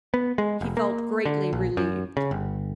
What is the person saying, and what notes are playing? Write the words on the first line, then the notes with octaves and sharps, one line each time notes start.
He felt greatly relieved.
B3
G#3
F1
A#3
D3
A#1
F#2
C#3
G1